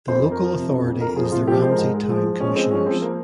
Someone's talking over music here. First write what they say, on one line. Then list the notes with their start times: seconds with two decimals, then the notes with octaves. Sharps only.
The local authority is the Ramsey Town Commissioners.
0.08 F2 C5
0.24 F2
0.31 A#4
0.40 F3
0.54 C3
0.70 F2
0.86 F2
1.01 F2 A#4
1.16 F3 G#4
1.32 C3 F4
1.47 F3 G4
1.62 G#3 C5
1.71 A#4
1.78 G#2
1.94 G#3
2.09 F3
2.25 F3
2.40 G#3 C#4
2.55 G#3 C4
2.71 F3 C#4
2.86 F3 C4
3.02 A#3